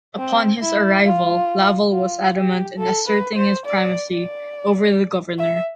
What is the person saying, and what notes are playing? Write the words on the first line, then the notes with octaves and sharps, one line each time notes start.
Upon his arrival, Laval was adamant in asserting his primacy over the governor.
C4
E4
F4
F4
G4
A4
B4
C5
D5
D5
E5